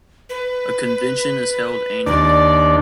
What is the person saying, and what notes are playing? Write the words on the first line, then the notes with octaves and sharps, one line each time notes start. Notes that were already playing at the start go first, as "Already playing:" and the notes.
A convention is held annually.
B4
D#2 D4 D5